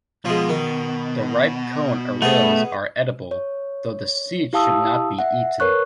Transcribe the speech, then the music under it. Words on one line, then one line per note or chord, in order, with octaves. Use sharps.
The ripe cone arils are edible, though the seed should not be eaten.
B2 F3 G#3
D#3
A3 B3 G#4
C#5
E4 G4 F5 A5 D#6 E6
E5 F#5
A#4 B4 C#5 C#6 F#6